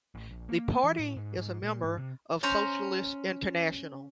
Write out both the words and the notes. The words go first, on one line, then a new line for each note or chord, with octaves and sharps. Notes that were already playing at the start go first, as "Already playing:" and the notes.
The party is a member of Socialist International.
A1
A#1
A#3
E3
A2
G#2
G#2
A#2
G#2
C3
C#4 C5 A#5